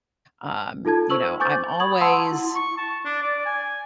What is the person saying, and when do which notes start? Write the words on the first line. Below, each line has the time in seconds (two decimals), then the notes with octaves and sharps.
um, you know, I'm always
0.85 D#4 F4 A4 A5 G#6
1.10 C5 C#6 E6 F#7
1.40 G#5 C#6 D6 G6 A6
1.80 B5 C#6 D#6 G#6 F#7
2.01 F#5 A5 C6 E6
2.33 E4
2.55 C#6
2.77 A5
3.05 D4
3.22 D5
3.45 G#5